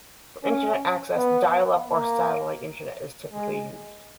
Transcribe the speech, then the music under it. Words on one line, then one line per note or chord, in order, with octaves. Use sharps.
For Internet access, dial-up or satellite Internet is typically used.
C#4
B3
A#3
G#3